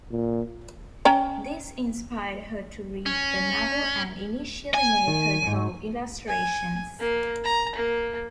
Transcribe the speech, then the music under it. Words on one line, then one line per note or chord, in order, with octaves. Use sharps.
This inspired her to read the novel and initially made her draw illustrations.
A#2
C#4 G5 A#5
C#4
G#5
D#3
E2 G#2
G#5
A#3
A#5
A#3